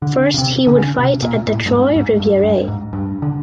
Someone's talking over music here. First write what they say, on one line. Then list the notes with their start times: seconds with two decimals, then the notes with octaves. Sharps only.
First he would fight at the Trois Rivieres.
0.02 D3
0.34 C#3
0.38 C3
0.67 D3
0.75 C#3
0.98 C3
1.22 A#2
1.47 A2
1.66 G2
1.72 G#2
1.96 G#2
2.20 G2
2.43 G2
2.68 G#2
2.93 G2
3.22 D3